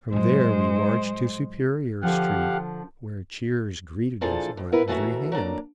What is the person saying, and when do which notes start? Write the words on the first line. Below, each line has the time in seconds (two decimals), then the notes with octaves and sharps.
From there we marched to Superior street, where cheers greeted us on every hand.
0.12 A2 F#3 G#3 C5
2.03 D3 F3 G4 F5 F#5
4.21 A#2 E3 F3 D4 G#4 A4
4.57 F2
4.72 B3 E4 A#4 B4
4.88 D#2 E3 A3 F#4 A#4 E5
5.32 F#3 A#3 D4 A#5